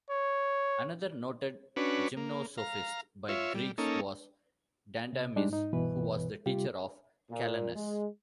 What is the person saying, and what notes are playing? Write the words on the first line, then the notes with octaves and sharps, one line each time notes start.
Another noted gymnosophist by Greeks was Dandamis, who was the teacher of Calanus.
C#5
C#4 D4 F#4 B4
A#3
F5 A#5
F4 C#5 E5
G3
A#3 C#4 D#4 A4
C3
G3 G#3 D4 D#4
G#2 D#4
C2 G2 B2 E3 B4
C3 G3 F4 G4
A#2
G#3